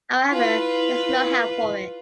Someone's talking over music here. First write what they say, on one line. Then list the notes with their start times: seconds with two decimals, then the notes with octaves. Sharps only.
However, there’s no help for it.
0.30 E4 F4 B4